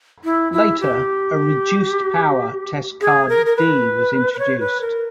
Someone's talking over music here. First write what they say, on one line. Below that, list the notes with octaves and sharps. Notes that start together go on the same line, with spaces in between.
Later, a "Reduced Power" Test Card D was introduced.
E4
E4
G4
G#4
A#4
A#4
B4
B4
C#5
B4
A#4